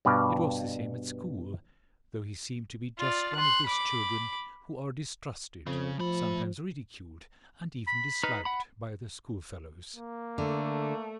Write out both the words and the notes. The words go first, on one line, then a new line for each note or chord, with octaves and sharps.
It was the same at school, though he seemed to be just one of those children who are distrusted, sometimes ridiculed, and even disliked by their schoolfellows.
G2 B2 B4 D5 F5
F4 D5
C6 F#6
B5 D6
F2 C#3
F3 A3 B5
B5
D#4 B4 F6
F#5 B5
A#3
D3 A3